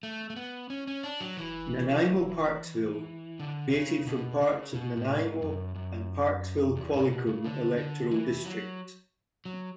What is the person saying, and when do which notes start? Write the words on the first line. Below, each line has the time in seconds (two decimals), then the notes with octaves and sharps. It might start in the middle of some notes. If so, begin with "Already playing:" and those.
Nanaimo-Parksville created from parts of Nanaimo and Parksville-Qualicum electoral districts.
0.03 A3
0.30 A3
0.36 B3
0.70 C#4
0.87 C#4
1.03 D4
1.20 F#3
1.37 E3
3.40 D3
3.74 C#3
4.07 B2
4.41 C#3
4.75 B2
4.97 A2
5.19 G#2
5.42 F#2
5.75 F#2
6.77 E2
6.94 G#2
7.10 B2
7.27 C#3
7.44 D3
7.77 D3
8.11 E3
8.45 F#3
9.45 F#3